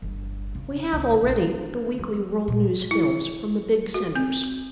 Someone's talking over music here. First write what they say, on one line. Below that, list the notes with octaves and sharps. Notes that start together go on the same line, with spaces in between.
We have already the weekly world-news films from the big centres.
G1
C#3
C#2
A#1
D3
F#3
A#2
E4
F#4
C4